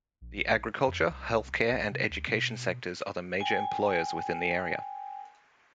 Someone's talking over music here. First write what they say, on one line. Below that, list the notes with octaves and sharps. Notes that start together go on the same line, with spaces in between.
The agriculture, healthcare and education sectors are the major employers within the area.
A#1
F2
C2
B1
C3
D2
B2
G5 G#5